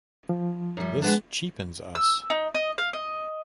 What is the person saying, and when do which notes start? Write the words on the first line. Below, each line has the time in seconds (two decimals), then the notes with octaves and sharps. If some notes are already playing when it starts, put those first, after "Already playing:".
This cheapens us.
0.29 F3
0.77 F#2 G3
1.02 G#3 B3 D4
1.95 E6
2.30 D#4
2.55 D#5
2.78 F5
2.93 D#5